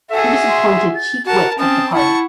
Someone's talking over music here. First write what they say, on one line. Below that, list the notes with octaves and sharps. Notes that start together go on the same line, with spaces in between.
He was appointed chief whip of the party.
F#4 G#4 A4 E5
C6
A6
F#4 A#4 F#5 A5
C4 C#4 A5 D#6
E4 F#5 A5 C#6